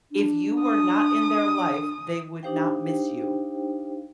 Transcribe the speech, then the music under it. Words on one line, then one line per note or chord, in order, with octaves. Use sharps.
"if you were not in their life, they would not miss you."
D4
D#6
D4 D#4 G4 C5 F5 G5